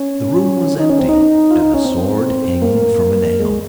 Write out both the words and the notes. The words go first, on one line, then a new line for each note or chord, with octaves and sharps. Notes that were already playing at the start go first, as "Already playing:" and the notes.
The room was empty, and the sword hanging from a nail.
Already playing: C#4
D#4
C#4
C4
D#4
F4
D#4
C#4
C4
A#3
G#3